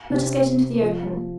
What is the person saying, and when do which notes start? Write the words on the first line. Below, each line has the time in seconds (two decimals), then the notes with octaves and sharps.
Let us get into the open.
0.10 C3 C4
0.82 F3